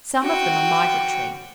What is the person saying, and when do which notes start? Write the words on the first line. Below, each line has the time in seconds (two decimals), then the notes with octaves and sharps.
Some of them are migratory.
0.23 F#4 G5